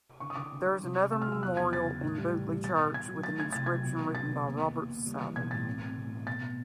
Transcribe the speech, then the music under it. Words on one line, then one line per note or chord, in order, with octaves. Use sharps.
There is another memorial in Butleigh Church with an inscription written by Robert Southey.
D3 C#6
D#6
D3 D6
D3
G3
C3
C3
C3 E6
F6
F#3 E6
E2 F#6
E2 G#6
C#3 A6
C#3
A2
G3
E3
G3
B2 A6
B2 A6
B2 G#6
F#3
A3 A6
A3 G#6
C2 A6
F#3 G#6
B2
B3
C2 A6
B3
D#2
D#2
D#2
D#2
G3
E3
B1 G#6
A2 A6
C4
C4
A2
A3
B2 A6
B2